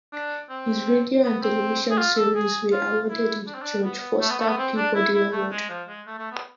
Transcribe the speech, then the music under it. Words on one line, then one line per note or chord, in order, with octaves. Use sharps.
His radio and television series were awarded the George Foster Peabody Award.
D4
C4
B3
C4
G#4
F4
A4
G#4
F4
E4
D4
C4
D4
B3
A3
B3
A3
B3
C4
D4
E4
E4
A3
G#3
F3
G#3
A3
A3
B3